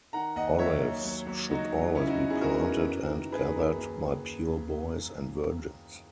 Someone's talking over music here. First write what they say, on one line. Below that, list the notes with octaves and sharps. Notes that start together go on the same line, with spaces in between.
Olives should always be planted and gathered by pure boys and virgins.
D#3 F#5 A#5
D#2 D#5 F#5
F#3 C#5 E5
D#2
F#3
F#3
F#3 D#4 F#4
F#3
C#3 C#4 E4
D#4 F#4
E2
E4 G#4
E3 F#4 A#4
E3
F#2
D#3
D#3 G#4 B4
F#2
D#2